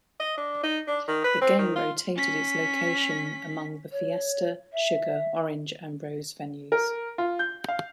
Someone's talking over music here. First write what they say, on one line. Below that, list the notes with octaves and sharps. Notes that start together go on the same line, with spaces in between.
The game rotated its location among the Fiesta, Sugar, Orange, and Rose venues.
D#5
D4
D#4
D4
D#3
B4
C4
D#3
F4
C#4 B6
C#5
E5
A#4
F4
G6
F5